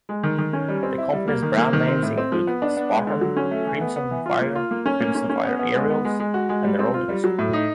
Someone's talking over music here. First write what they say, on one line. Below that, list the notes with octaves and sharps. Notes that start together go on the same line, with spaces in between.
The company's brand names include "Spartan", "Crimson Fire", "Crimson Fire Aerials", and "Road Rescue".
G#3
D#3
D#3
C#4
G3
C4
E4
G3
A#3
D#3
A#3
D#3
C4
A2
C4
F3
B3
D4
B3
G#3
D3
F#3
C#4
A3
E3
B3
B3
E3
F4
A#3
F4
A#3
C#4
A#3
C#4
C#4
B3
B3
G#3
B3
G#3
G#3
F#4
G#3
G3
C4
F4
G3
F#3
A2
D#4